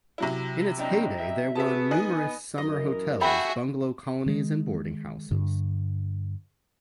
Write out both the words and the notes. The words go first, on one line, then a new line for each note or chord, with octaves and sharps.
In its heyday there were numerous summer hotels, bungalow colonies, and boarding houses.
C3 F#3 E4
C4 D4 D#5 G5 A#5
E5
B3 F#4 G#4 B4 E5 A5
D#4 D#5 G#5 F#6
F#2 E3 A#4 D#5
F#4 G#4 A4 E5 G5 B5
D#3 G#3
G2 D3